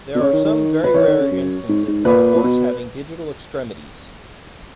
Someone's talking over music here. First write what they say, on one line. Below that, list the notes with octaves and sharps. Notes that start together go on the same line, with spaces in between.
There are some very rare instances of a horse having digital extremities.
B2
C#3 C#5
D#3
D#3
B4
E3 C#5
D#3
C#3
F#2
G#2
G#2
A#2 B4
A#2
B2